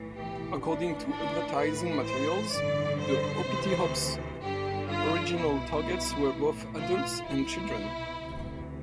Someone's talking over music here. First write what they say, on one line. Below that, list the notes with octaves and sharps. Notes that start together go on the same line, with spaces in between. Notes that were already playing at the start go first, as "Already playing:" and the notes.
According to advertising materials, the Hoppity Hop's original targets were both adults and children.
Already playing: B1 A2 E3
G4
A1 A2 E3 D4
D4
A1 A2 E3 B4
C5
A1 G2 D3 D5
C5
D2 C3 E3
G1 G2 D3 G4
F4
C2 B2 E4
B1 A2 E3
F4
C2 B2 E4
D2 C3 E3